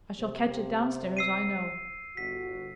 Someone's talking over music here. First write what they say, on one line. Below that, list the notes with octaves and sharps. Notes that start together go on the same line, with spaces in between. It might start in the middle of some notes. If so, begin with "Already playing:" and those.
I shall catch it down stairs, I know.
C3
E6 C7 D#7
G1 F#4 B6